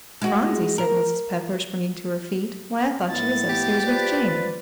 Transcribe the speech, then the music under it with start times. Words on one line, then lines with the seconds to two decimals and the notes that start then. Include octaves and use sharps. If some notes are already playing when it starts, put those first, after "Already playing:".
"Phronsie!" said Mrs. Pepper, springing to her feet, "why, I thought she was up-stairs with Jane."
0.22 G#3 F#4
0.78 A#4
3.10 A2 B3 E4 A6
3.49 G4
3.85 F4 B4 C5 D5